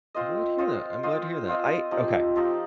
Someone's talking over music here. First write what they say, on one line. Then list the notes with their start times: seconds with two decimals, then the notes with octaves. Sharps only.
I'm glad to hear that, I'm glad to hear that, I okay,
0.14 C4 F4 C5 D#5
0.58 C4 F4 C5 D#5
1.03 C4 F4 C5 D#5
1.47 C4 F4 C5 D#5
1.91 F3 C4 D#4 G4
2.35 F3 C4 D#4 G4